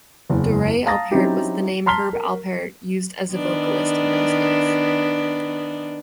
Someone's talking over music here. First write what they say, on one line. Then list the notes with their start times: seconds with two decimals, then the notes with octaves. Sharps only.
Dore Alpert was the name Herb Alpert used as a vocalist in those days.
0.30 F#1 E2
0.86 F5 A5 A#5 D#6 A6 A#6
1.11 F#3 C4 C#4 D#4 E4 G4
1.86 A5 A#5 C6 F6 B6 G7
2.13 A#4
3.32 D#3 B3 D4